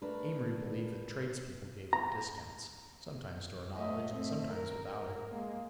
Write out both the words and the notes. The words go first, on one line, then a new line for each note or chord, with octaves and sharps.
Amory believed that tradespeople gave her discounts, sometimes to her knowledge and sometimes without it.
A3 D4 A#4 B4
A#5
A3 D#5
A3 C4
A#4
A#4
G#3 A#3